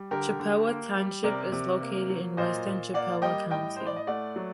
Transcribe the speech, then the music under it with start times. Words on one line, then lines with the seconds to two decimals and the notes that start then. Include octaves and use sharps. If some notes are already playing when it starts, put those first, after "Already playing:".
Chippewa Township is located in western Chippewa County.
Already playing: G3
0.11 D3 G4 A#4
0.40 D3
0.67 A#3
0.96 G3
1.24 C3 A#4 D5
1.52 C3
1.81 A#3
2.10 F#3
2.37 A#2 C5 D#5
2.66 A#2
2.94 A#3 D5 F#5
3.22 G3 D#5 G5
3.50 A2 D#5 G5
3.76 A2 C5
3.86 D5
3.96 D#5
4.07 A3 D5 F#5
4.36 F#3